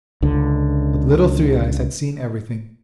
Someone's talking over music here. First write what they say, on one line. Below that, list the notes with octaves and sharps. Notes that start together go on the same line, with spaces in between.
But Little Three-eyes had seen everything.
C#2 D3